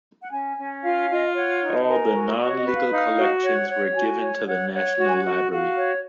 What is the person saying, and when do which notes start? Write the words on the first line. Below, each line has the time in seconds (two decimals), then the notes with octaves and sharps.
All the non-legal collections were given to the National Library.
0.22 F#5
0.30 C#4 G#5
0.57 C#4
0.82 F4 F5
1.09 F4 D#5
1.24 F5
1.35 C#5 F#5
1.61 D#4
1.87 A#4 G#5
2.13 F#4
2.39 F#4
2.47 C#5
2.57 D#5
2.65 B4
2.73 F5
2.90 D#4 F5
3.17 F#4
3.43 C#5 F#5
3.69 C#5
3.90 F#5
3.95 F#4 G#5
4.20 C#5
4.46 C#5 F#5
4.73 C#5 F#5
4.98 F#4 F#5
5.07 G#5
5.16 F#5
5.24 F#4
5.51 F#4 F5
5.77 C#5